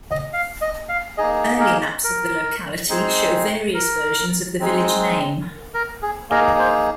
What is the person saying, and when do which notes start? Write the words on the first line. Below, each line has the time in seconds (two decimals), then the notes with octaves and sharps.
Early maps of the locality show various versions of the village name.
0.11 D#5
0.33 F5
0.61 D#5
0.89 F5
1.17 A#3 D#4 G#4 D#5
1.60 A#4
2.04 A#4
2.89 G#3 C4 D#4 G#4
3.74 A#4
4.60 G#3 C4 D#4 G#4
5.74 A#4
6.02 G#4
6.30 A#3 D#4 G#4 A#4
6.59 C5